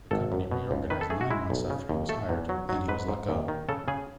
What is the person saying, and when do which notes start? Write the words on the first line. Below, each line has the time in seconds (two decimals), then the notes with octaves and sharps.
The company reorganized nine months after he was hired and he was let go.
0.11 G#1 A4
0.32 F#2
0.51 B2
0.71 C#2
0.90 D#3 B4
1.01 A4
1.10 A3 G#4
1.21 F#4
1.31 G#3 E4
1.50 B1
1.70 C#3
1.89 D#2
2.09 A3 A4
2.29 E2
2.49 F#3
2.69 F#3
2.88 G#2 B4
3.08 G#2
3.29 D#2
3.48 D#3
3.69 C#3 A4
3.88 C#3 G#4